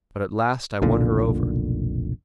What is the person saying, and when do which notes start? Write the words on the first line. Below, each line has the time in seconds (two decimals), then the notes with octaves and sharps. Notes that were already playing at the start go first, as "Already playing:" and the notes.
But at last I won her over.
0.82 F1 B1 A#2 D3